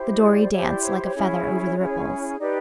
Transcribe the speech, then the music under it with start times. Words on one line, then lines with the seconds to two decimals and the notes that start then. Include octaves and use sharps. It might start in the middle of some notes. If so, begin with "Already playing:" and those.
The dory danced like a feather over the ripples.
Already playing: E4 G4 C5
0.11 D#5
0.20 D5
0.52 E4 G4 C5 C#5
0.67 D5
0.83 C#5
0.98 C#5
1.14 C#4 E4 G#4
1.77 C#4 E4 G#4
2.39 D#4 G4 B4 D5